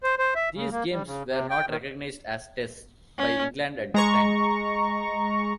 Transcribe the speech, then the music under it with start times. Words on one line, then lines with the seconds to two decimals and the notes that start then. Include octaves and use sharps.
These games were not recognised as Tests by England at the time.
0.03 C5
0.19 C5
0.35 E5
0.55 C#3
0.72 A#3
0.91 G3
1.07 C#3
1.28 C3
1.50 G5
1.68 D#3
3.18 C#4
3.94 G#3 A#5 C#6